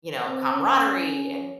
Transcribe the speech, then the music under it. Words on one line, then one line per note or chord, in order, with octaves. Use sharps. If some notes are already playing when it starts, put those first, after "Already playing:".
you know, camaraderie and
C4
C#4